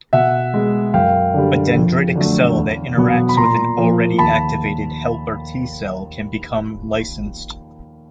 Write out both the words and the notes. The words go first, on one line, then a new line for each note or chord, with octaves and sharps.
A dendritic cell that interacts with an already-activated helper T cell can become licensed.
B2 E5 F#5
G#3 B3
F#2 F5 G5
D3 G3
F2
D3 F#3 A3
E2
B2 F#3 B3
B5
A#2 A#5 C6
F3 A#3
D#2 A5 B5